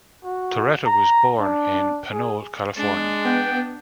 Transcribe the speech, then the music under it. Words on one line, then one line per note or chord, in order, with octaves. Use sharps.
Torretta was born in Pinole, California.
F#4
A#5
D4
G#4
G#3 D4
B3 G5